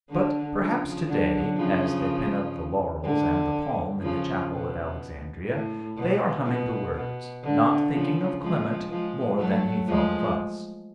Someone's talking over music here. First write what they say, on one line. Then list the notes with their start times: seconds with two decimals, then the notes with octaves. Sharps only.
But perhaps to-day, as they pin up the laurels and the palm in the chapel at Alexandria, they are humming the words, not thinking of Clement more than he thought of us.
0.10 D3
0.59 C#3 F3
1.07 D3 F#3
1.56 C#3 F3
3.03 D3
4.01 C#3 F3
4.50 B2
5.47 A2
5.96 B2
6.45 B2
6.94 B2
7.43 D3
7.91 C#3 F3
8.40 F3 G#3
8.89 F3 G#3
9.38 F#3 A3
9.87 F3 G#3